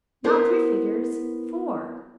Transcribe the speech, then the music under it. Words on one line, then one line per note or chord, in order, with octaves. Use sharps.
Not three figures, four!
B3 E4 A#4 C5